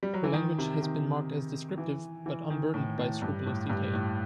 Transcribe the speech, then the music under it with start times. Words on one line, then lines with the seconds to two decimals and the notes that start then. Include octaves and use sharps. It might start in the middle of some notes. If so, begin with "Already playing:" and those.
Her language has been marked as descriptive but unburdened by scrupulous detailing.
0.03 G3
0.14 F#3
0.24 E3
0.33 D#3
0.58 C3
0.82 D#3
1.78 E3
2.26 E3
2.50 D#3
2.74 A2
2.98 A2
3.22 G2
3.46 A2
3.70 G2
3.94 A2